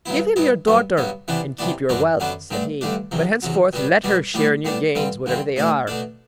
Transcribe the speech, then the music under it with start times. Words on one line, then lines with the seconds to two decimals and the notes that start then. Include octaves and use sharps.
'Give him your daughter and keep your wealth,' said he; 'but, henceforward, let her share in your gains, whatever they are.'
0.06 G2 F#3 B3 E4
0.36 G2 F#3 B3 E4
0.67 G2 F#3 B3
0.97 G2 F#3 B3
1.28 C3 E3 B3 D4
1.59 C3 E3 B3 D4
1.89 F#2 D3 F#3 B3 D4
2.20 F#2 D3 F#3 B3 D4
2.50 G2 D3 A3 D4
2.81 G2 D3 A3 D4
3.11 E2 C3 F#3
3.42 E2 C3 F#3
3.73 B2 G3 B3 D4
4.04 B2 G3 B3 D4
4.34 A2 G3 B3 D4
4.65 A2 G3 B3 D4
4.95 G2 D3 G3 C4
5.26 G2 D3 G3 C4
5.56 B2 A3 D4
5.87 B2 A3 D4